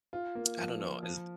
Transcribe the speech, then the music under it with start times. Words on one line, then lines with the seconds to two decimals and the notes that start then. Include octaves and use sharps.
I don't know, is d
0.13 F4
0.35 A#3
0.57 F3
0.80 F3
1.03 F3